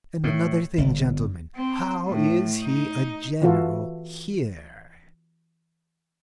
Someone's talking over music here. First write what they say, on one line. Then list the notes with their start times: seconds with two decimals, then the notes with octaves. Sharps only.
And another thing, gentlemen, how is he a general here?
0.24 A2
0.78 G1
1.56 C4
2.07 A2
2.63 D#4
3.42 E3 F4 F#4 A4